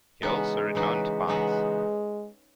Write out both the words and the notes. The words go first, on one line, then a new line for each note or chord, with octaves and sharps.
He also returned punts.
C#3 E3 G#3 B3 D#4 F#4
C#3 E3 B3 D#4 F#4
C#3 E3 G#3 B3 D#4 F#4